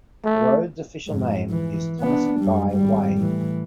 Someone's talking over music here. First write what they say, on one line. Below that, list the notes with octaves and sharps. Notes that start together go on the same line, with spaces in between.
The road's official name is Thomas Guy Way.
A3
F2 G#2
E3
B3 D4
F#2 G3
G#1 G3
A2 E3